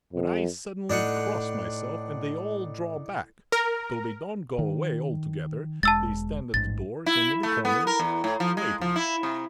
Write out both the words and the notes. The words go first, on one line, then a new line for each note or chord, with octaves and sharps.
But I suddenly cross myself and they all draw back, though they don't go away altogether, they stand at the doors and in the corners, waiting.
F2
A2 D4 D#4 F#5
A#4
D#3
E1 G#3 A5 E6 A6
A1 G#2 A6
E4
A3
B3
A#4
E2
A2
F3
G#3
F3
E4
C3